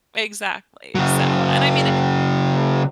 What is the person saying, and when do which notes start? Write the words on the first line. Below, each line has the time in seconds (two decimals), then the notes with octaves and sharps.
exactly, so and, I mean,
0.95 C#3 F#3